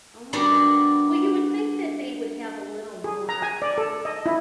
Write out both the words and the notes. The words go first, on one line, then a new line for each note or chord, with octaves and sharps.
Oh my god well, you would think that they would have a little more
G3 B3 D4 F#4 A#4
G#4
A#5
G#5
D5
A4
D#5
E4